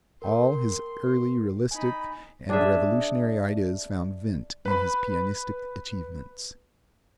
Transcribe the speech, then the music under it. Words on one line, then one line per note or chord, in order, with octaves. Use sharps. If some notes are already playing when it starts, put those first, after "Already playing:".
All his early realistic and revolutionary ideas found vent in his pianistic achievements.
A#4 G5 C6
D#4 G#5 B5
D4 G#4 E5
B4 B5